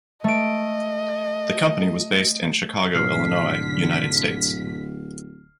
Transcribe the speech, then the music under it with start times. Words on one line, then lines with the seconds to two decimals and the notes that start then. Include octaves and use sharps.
The company was based in Chicago, Illinois, United States.
0.24 A3 D#5 D7
2.95 D1 G#2 B2 D3 F#3 F6 B6 C7